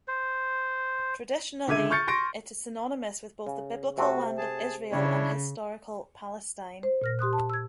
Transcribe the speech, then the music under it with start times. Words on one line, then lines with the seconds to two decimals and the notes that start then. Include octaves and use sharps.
Traditionally, it is synonymous with both the biblical Land of Israel and historical Palestine.
0.08 C5
1.68 C#2 D3 E5 D6 G#6 D#7
1.90 C#6 F6 G6 A6 C#7
2.08 C6 C#6 A#6 D7
3.47 C#3
3.98 C3 A3 C4 F#4
4.37 G#4 A5
4.92 C#3 D4 E4 C#5
6.83 C5
7.02 A#2 F6 A#6
7.19 G4 C6 D#6 F#6
7.33 A5
7.50 E6 G#6